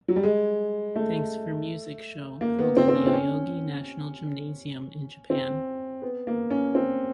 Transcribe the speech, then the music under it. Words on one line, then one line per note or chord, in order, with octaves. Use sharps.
Thanks For Music show held in Yoyogi National Gymnasium, in Japan.
F#3
G3
G#3
A3
A#3
B3
C4
C4
C#4
C4
C#4
C4
B3
A#3
C#4
C4